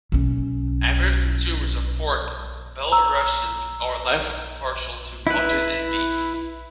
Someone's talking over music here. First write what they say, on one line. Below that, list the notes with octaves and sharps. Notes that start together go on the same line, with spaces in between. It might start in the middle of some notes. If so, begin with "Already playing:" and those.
Avid consumers of pork, Belarusians are less partial to mutton and beef.
B1 C#4
A#5 E6
E4 B4